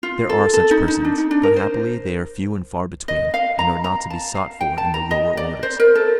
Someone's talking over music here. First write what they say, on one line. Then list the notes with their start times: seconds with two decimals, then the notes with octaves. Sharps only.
There are such persons, but happily they are few and far between, and are not to be sought for in the lower orders.
0.03 F4
0.29 A4
0.54 A4
0.71 D#4
0.88 D#4
1.05 D4
1.18 D#4
1.31 D4
1.43 A#4
1.56 C5
3.08 D#5
3.34 F5
3.59 A#5
3.84 A#5
4.10 A5
4.35 F5
4.61 G5
4.78 A5
4.94 A#5
5.11 D#5
5.37 D5
5.63 C5
5.80 A#4
5.95 A4